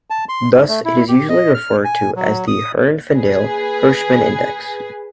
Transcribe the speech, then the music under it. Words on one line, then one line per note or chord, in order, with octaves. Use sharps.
Thus, it is usually referred to as the Herfindahl-Hirschman index.
A5
C6
G#2
A3
E4
G4
D#5
F6
G#5
F#3
D#6
G#4 B4